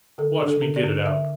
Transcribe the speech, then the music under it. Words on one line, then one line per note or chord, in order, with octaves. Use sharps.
Watch me get it out!'
D3 A4
D4
A4
D3
D5
D3
D3 E5